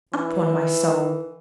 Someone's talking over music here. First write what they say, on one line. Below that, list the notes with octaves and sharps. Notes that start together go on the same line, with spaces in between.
Upon my soul!
E3